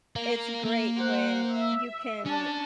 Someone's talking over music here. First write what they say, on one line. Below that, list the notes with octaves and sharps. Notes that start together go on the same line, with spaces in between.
it's great when you can
A#4 F5
A#3
C5 F#5
E5
C#4 D4 A5